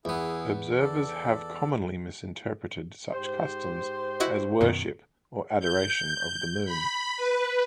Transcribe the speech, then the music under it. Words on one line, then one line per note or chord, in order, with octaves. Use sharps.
Observers have commonly misinterpreted such customs as worship or adoration of the moon.
E2 B3 E4 G#4
A4 D5
G#2 G4 C5
E4 F#4 D#5
F#2 B2 D#3
G6
B5
B4